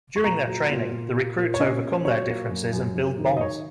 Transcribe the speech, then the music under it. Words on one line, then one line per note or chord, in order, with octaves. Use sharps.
During their training, the recruits overcome their differences and build bonds.
C#6
A#2 A#5
F#3
A#2
A#2
A#3
A#2
C#5
C#4 D#5
A#2
F#3 C#5
A#3
F#2
F#2
F#2
D#3
D#5
D#3 C#5